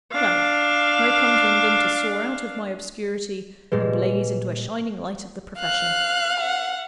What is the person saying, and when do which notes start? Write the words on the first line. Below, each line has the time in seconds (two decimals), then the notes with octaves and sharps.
Well, I have come to England to soar out of my obscurity and blaze into a shining light of the profession.
0.12 D4 F5
3.72 A#2 G3 G#3 G#4 B4
5.59 F5 F#6
6.39 F#5